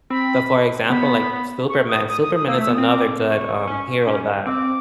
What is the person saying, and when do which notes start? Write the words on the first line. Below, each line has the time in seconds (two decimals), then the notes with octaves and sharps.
So, for example, like, Superman, Superman is another good, um, hero that
0.10 C4 B5
0.90 B3 B5
1.69 C#6
1.89 D#6
2.08 D#6
2.22 D#6
2.35 D#6
2.48 A#3 E6
2.58 A3
2.61 E6
2.68 B3
2.74 C4 D#6
2.87 D6
3.27 C#6
3.67 C#4
4.07 C#4
4.46 C4 D6